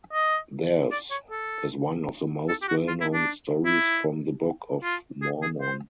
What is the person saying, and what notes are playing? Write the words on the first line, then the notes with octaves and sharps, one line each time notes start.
Theirs is one of the most well-known stories from the Book of Mormon.
D#5
D5
C#5
A4
A4
G4
F#4
F4
E4
D4
E4
F4
G#4
G#4
C5